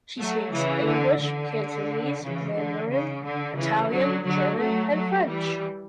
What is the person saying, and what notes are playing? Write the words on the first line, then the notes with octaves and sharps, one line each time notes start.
She speaks English, Cantonese, Mandarin, Italian, German and French.
F#3 A3
C#3 E3
D3
D3
C#3 E3
D3
C#3
D3
C#3 E3
D3 F#3
D3 F#3
F#3 A3
F#3 A3
E3 G3